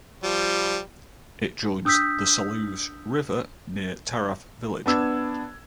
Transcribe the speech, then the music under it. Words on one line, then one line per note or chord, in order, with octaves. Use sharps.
It joins the Satluj River near Taraf village.
F3 G3
D4 D#6 E6 G6 B6
B3 D4 E6 G#6